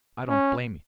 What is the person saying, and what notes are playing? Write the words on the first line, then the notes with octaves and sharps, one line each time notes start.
I don't blame you.
C#4